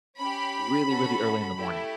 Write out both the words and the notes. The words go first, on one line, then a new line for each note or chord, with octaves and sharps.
really, really early in the morning,
C#4 G4 B5
C#4 F#4 A4
A3 E4 G4